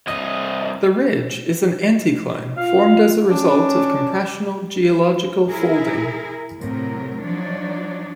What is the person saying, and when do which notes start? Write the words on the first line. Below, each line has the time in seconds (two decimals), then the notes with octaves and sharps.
The ridge is an anticline, formed as a result of compressional geological folding.
0.07 C2 D#5
2.57 F4 F5
3.30 C#4 D4
5.50 E4 G#4 A#4
6.61 A2 C3 F#3 A#4
7.23 F3 F#3 D4 D#4 C#5 D5